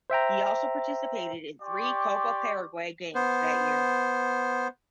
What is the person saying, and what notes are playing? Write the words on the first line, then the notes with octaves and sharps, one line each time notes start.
He also participated in three Copa Paraguay games that year.
C5 E5 G5 A#5
G4 D5 G5 C6 C#6
B3 C5